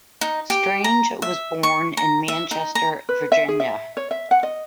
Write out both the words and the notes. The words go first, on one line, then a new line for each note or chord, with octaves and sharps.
Strange was born in Manchester, Virginia.
D#4
G4
A#5
E5
C#6
A#5
E5
D#4
A#5
B4
E5
G#4
E5
C#5
E5
F#5
D#5